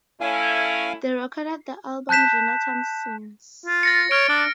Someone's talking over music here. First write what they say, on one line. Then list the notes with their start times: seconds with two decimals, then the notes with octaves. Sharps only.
They recorded the album Jonathan Sings!
0.21 A3 C#4 E4 F5 G#5
2.09 A5 F#6 G6 B6 E7
3.66 F4
3.83 A6 A#6 C#7
4.11 C#5 F6 D7
4.29 D4